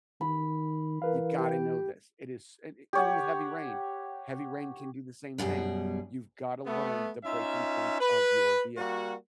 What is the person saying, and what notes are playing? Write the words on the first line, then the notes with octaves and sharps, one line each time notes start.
You gotta know this, it is s eh, even with heavy rain, heavy rain can do the same thing, you've gotta learn the breaking point of your vehicle."
D#3 B5
E3 A#4 B4 F5
G4
G4 C#5 F#5
F#2 B2 G3 G#4
A3 B3
C#4 D#4 F4 E5
B4
G3 A#3 F#4